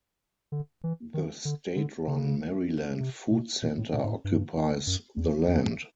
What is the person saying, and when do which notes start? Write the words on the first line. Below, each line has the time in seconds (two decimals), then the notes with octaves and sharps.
The State-run Maryland Food Center occupies the land.
0.52 D3
0.84 E3
1.14 D#3
1.45 D3
1.76 D3
2.08 C#3
3.00 C3
3.31 B2
3.62 A#2
3.78 A2
3.94 A#2
4.04 G#2
4.09 A2
4.25 G2
4.87 F#2
5.17 E2
5.48 F2